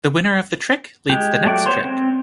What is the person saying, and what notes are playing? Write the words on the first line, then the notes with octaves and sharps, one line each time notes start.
The winner of the trick leads the next trick.
G#3 G4
F#3 A3 D5 G5
B3 C5 C#5 C6
C4